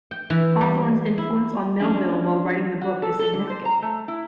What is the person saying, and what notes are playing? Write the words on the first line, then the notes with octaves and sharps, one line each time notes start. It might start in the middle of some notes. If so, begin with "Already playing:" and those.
Hawthorne's influence on Melville while writing the book is significant.
G5
E3
G3
E4
F3 C#4 D4 E4 G4
F#4
A4
A4
D3
C5
A#5
A3
E4